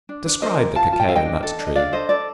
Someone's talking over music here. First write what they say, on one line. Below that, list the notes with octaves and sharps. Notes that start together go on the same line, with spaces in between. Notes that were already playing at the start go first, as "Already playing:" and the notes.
Describe the Cacao-nut Tree.
D4
D4
A#4 C5 D#5
A#4
F4 F5 A5
F4 A5
G5
A4 F5
D#5 G5
D4
A4
D4
D#5
D4 D5 F5
A4 C5 D#5
A4 D5